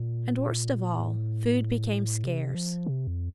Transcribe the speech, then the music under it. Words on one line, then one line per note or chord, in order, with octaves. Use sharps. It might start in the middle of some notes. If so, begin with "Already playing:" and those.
And, worst of all, food became scarce.
Already playing: A#2
A2
C3
F3
C3
F2